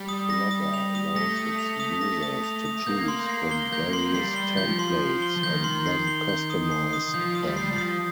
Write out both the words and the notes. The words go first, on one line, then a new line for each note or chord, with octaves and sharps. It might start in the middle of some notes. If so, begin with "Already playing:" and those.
Blogger allows its users to choose from various templates and then customize them.
Already playing: G3
D#6
A#6
D#6
F7
D#6
A3 A#6
D#6
F7
D#6
A#6
D#6
F7
D#6
A#3 G6
C6
C7
G7
A#3 G6
C6
G3 C7
G7
F3 G6
C6
C7
G7
F3
D#3 G6
C6
C7
G7
G6
D#6
C7
D#6
F3 G6
D#6
G3
C7
F3
D#6